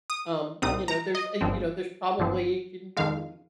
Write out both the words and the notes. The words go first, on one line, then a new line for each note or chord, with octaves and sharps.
um, you know, there's uh, you know, there's probably you can m
D#6
C2 A#2 G3 C4 D#4 D#6
A#5
D#5
G1 G2 F3 C4
G1 G2 F3 C4
F2 D#3 G#3 F5